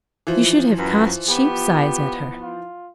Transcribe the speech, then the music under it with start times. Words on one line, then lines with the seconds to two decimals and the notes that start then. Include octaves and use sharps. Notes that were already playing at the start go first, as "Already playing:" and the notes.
You should have cast sheep's eyes at her.'
0.27 E3 F3
0.78 F#2 B4
1.28 B3 G4
2.42 F4